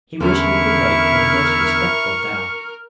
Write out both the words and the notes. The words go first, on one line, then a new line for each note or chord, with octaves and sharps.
He wished me good night with a most respectful bow.
E2 D3 C#4 E4 A#4 C#6